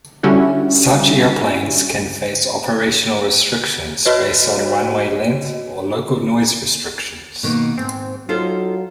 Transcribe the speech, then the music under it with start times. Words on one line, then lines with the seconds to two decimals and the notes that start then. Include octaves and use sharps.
Such airplanes can face operational restrictions based on runway length or local noise restrictions.
0.23 D3 G3 C#4 E4 F#4
4.06 F#4 B4 C#5 D#5
7.43 B2 D#3 A#3
7.77 G#2 C4
8.29 F#3 D#4 F4 A4 C5